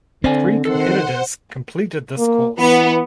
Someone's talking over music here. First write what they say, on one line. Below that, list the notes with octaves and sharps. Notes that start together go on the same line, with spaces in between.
Three competitors completed this course.
D3 C4 C5 D5 G#5
D#3 A4 C5 F#5 C6
A#3
E3 B3